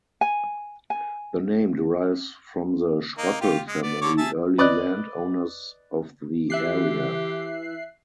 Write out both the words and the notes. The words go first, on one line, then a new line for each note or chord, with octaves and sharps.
The name derives from the Schroeppel family, early land owners of the area.
G#5
G#5
A#3 D#4
F4 G4
G#3
B3 D5
D3 C#5 D6
G#4 E5 A5
B4 D5 D#5 F#6
E3 G4 E5 F#6 C7